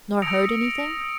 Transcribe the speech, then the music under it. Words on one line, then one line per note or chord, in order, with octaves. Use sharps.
"Nor heard anything?"
D#6 E6 A#6 C#7 D7 F7